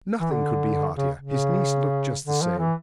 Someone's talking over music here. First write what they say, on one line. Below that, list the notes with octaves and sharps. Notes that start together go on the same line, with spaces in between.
Nothing could be heartier. His niece looked just the same.
E3
D3
C#3
C#3
D3
F3
E3